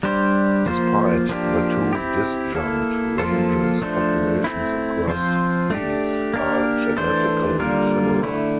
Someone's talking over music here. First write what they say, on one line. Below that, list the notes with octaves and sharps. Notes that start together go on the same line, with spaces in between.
Despite the two disjunct ranges, populations across these are genetically similar.
G3 D4 G4 C5
F3 A#3 F4 C5
F3 A#3 D4 G4
C4 E4 G4
A#3 E4 A4
F3 A#3 F4 A4 C5
F3 A3 D4 A4 C5
A3 C4 E4
F3 C4 F4 C5
A3 D4 G4
A#3 D4 G4 A#4
E3 A3 D4 A4 C5
D3 G3 A#3 F4 A#4
D3 A3 E4